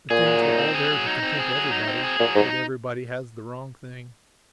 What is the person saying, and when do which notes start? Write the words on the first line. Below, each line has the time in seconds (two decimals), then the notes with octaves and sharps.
The things were all there to content everybody; yet everybody has the wrong thing.
0.10 A#2 G#4
0.26 F#3
0.42 D#4
0.58 C4
0.75 G#4
0.91 F#3
1.07 D#4
1.23 C4
1.39 G#4
1.55 F#3
1.71 D#4
1.88 C4
2.03 G#4
2.19 A#2 F#3
2.35 G#2 D#4